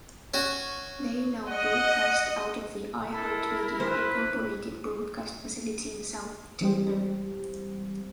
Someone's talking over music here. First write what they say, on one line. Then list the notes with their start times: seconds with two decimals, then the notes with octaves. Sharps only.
They now broadcast out of the iHeartMedia, Incorporated broadcast facility in south Denver.
0.34 C#4 F#4
1.49 D#5 F#5
3.11 E4 A4 A#4
3.80 B4 C5
6.61 E3 G3 G#3 C4 G4 C5